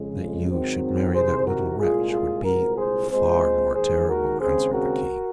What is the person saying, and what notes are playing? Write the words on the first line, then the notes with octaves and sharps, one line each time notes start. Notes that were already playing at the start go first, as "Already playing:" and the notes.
"That you should marry that little wretch would be far more terrible," answered the King.
Already playing: F2 C#3 G#3
G#2 D#3 F#3 C4
C2 C3 D#3 G#4 C5
F#4 A#4
C2 A#2 G#3 F4 G#4
F4 G#4
C2 A#2 G#3 C4 F#4 A#4
G#4 C5
A#2 G#3 C4 G#4 C5
D#2 D#3 G#3 G#4 C5
F#4 A#4
D#2 C#3 G#3 C4 G#4 C5
F#4 A#4